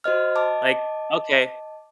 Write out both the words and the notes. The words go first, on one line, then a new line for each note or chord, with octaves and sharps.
like, okay.
F#4 C5 D#5 F6
D#5 A5 D6